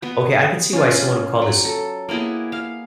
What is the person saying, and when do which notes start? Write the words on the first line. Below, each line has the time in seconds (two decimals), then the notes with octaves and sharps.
"Okay, I could see why someone would call this
0.02 B3 B4
0.73 C#4 F4
1.42 F#3
1.65 A4
2.09 A#3 B3 E4 G#4
2.52 F5